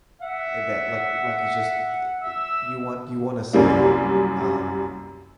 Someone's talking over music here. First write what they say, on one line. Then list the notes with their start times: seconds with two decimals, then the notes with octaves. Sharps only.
eh, that like like it's just, eh, it you want you wanna say, um,
0.22 E5 F#5
2.23 E5 E6
3.53 C2 F#2 G3 A#3